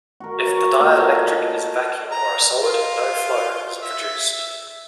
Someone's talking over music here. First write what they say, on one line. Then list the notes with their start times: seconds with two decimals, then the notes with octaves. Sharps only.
If the dielectric is a vacuum or a solid, no flow is produced.
0.20 F#4 A#4
0.47 C#5 C#6
0.80 A#2 D3 A#5
1.09 D#5 F5 G#5 A5
2.12 A#5
2.62 F4
3.82 E5